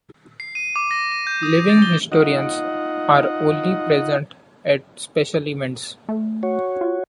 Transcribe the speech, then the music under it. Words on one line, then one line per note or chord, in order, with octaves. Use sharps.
Living Historians are only present at special events.
C7
D#7
D6
A#6
D#7
G6
D#6
A6
G7
D#4 F4 D#5 F#5
A3
F#4 C#5
F4